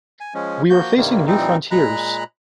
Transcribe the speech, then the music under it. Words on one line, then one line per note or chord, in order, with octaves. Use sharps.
We are facing new frontiers.
G#5
F3 G#3 C#4
F3 A#3 F#4 G6
G2 C3 D#3 G3 A#3
A#2 E3 F3 G3 C4 D#4
A#2 G#3 A#5 B5 F#6